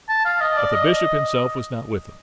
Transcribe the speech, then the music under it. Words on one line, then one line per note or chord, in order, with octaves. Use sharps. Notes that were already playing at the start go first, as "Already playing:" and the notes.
But the Bishop himself was not with them.
A5
F5
D#5
D5
D#5